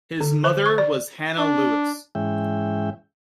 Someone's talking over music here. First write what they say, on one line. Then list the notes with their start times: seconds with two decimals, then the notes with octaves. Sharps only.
His mother was Hannah Lewis.
0.21 D3
0.44 C5
0.66 C#6
0.78 D5
1.38 D4
2.15 G#2 E3 G#3 C#4 E5 G5